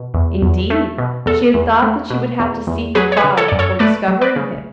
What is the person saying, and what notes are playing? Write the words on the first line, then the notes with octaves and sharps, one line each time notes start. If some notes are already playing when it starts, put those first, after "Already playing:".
Indeed, she had thought that she would have to seek afar before discovering him.
Already playing: B2
E2
E2
A3
B2
E2 A4
E2
A3
B2
E2
E2
F#3 G#4 B4
C#5
G#4 B4
C#3
A4 C#5
F#2 D5
A4 C#5
A3 B4 D5
F#3
B4 D5
C#3